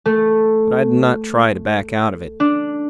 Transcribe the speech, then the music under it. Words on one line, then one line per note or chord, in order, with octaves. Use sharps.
But I did not try to back out of it.
A3
D4